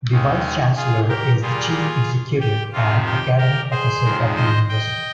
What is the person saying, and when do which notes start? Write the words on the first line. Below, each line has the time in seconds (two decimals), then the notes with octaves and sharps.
The Vice Chancellor is the Chief Executive and Academic Officer of the University.
0.11 D#2 D#3 G#3
0.76 F4 G#4
1.09 G4 A#4
1.42 A#2 G3 F4 G#4
2.40 G4
2.73 F2 C3 D#3 F4
3.06 G4
3.38 G4 A#4
3.71 G#4 C5
4.04 F2 D#3 G#3
4.36 C5 D#5
4.69 D#5 G5